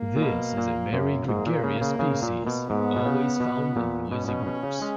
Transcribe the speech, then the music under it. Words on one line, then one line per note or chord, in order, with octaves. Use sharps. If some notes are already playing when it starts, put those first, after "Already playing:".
This is a very gregarious species, always found in noisy groups.
Already playing: A#3
A#2
B2
A#2
F#2
G#2 A#3
A#2
C#3
C#3
C#3
A#2
B2
G#2 B3
B2
C#3
B2
A#2
B2 C#4
B2
B2
C#3
G#3